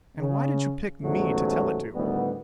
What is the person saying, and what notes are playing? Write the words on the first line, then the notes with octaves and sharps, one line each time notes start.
"And why did you pick me to tell it to?"
C#3
A1 E2 G#2 C#3 F#3 A3
D2 A2 D#3 G3 B3